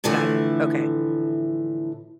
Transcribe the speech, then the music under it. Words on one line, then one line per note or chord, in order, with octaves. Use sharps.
Got it. Okay.
A2 D3 E3 F3 A3 E4